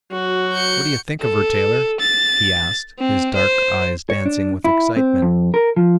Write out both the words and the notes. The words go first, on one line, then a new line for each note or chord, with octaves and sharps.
"What do you think of her, Taylor?" he asked, his dark eyes dancing with excitement.
F#3 F#4
G6 C#7
A4
A6
C4
C5
C#5
D4
E4
C4
F2
A#4
F3